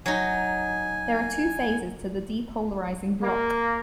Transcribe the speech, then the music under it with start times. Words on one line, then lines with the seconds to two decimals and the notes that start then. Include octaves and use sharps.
There are two phases to the depolarizing block.
0.06 F#3 D#4 G#5
3.22 A#3